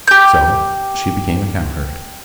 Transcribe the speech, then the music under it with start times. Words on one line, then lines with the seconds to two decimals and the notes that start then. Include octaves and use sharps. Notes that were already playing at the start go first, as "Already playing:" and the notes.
So she became a cowherd.
0.07 G4 G6